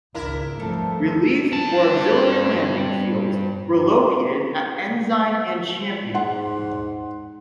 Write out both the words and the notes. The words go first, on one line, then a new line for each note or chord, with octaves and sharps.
Relief or auxiliary landing fields were located at Ensign and Champion.
G#1 C#2 D4 E4 A#4
G2 F3 A3 C4 A4
G2 A5
G#2 F#5 C6